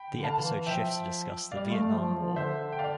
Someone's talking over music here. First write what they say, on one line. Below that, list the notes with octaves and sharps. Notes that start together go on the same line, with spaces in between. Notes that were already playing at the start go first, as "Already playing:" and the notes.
The episode shifts to discuss the Vietnam War.
Already playing: G5 B5
D3
F5 A5
E3
F3 E5 G5
G3 D5 F5
A3
F3
F3
D3 C5 E5
G5
D5 F5